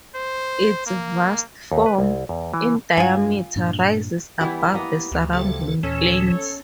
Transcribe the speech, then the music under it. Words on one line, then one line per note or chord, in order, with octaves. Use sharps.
Its vast form, in diameter, rises above the surrounding plains.
C5
A#3
D#2
B4
C2
E2
E3
G2 F4 G#5
G2 A#2 D4
E3 G3 B3 E4
A#3 B3 D#5
D2
C#3 F3 C4 G4 A4
D#2 A#2 E3 C#4 A4 C#5